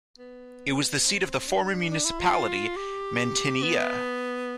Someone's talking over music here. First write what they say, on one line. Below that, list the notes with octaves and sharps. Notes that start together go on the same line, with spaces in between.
It was the seat of the former municipality Mantineia.
B3
C4
D4
D4
E4
F4
G4
B3